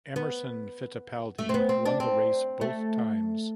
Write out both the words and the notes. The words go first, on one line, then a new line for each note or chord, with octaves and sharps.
Emerson Fittipaldi won the race both times.
B3
A3
C4
B3
C4
D4
C4
A3